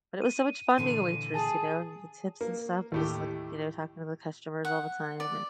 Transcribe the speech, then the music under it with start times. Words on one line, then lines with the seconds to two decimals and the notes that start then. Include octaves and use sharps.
but it was so much fun being a waitress, you know, and the tips and stuff and just, like, you know, talking to the customers all the time, and it
0.22 D#7
0.78 A#2 D3 E3 D#7
1.34 G#4 G#5 A5
2.41 A#3
2.92 D#2 A2 G4
4.65 F#5
5.20 D5